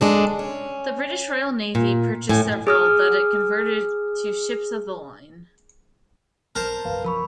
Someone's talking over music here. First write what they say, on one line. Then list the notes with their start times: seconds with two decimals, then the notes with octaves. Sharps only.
The British Royal Navy purchased several that it converted to ships of the line.
0.01 G#3 D4 A4
0.39 C#4
1.75 A#2
2.29 A2 G#5
2.67 G#4 D#6 F6
6.55 A#1 F3 A#4 C5 A5
6.85 F#1 B1 B4 F5
7.05 F3 A#4 B5 C#6